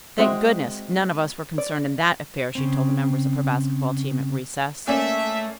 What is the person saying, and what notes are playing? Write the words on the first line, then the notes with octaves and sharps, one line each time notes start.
"Thank goodness, none of us were concerned in that affair," she told the members of her basketball team at recess.
G#3 C4 F#4 E5
D5
C#3 C4
A3 A#3 C#4 A4 D5 E5 G#5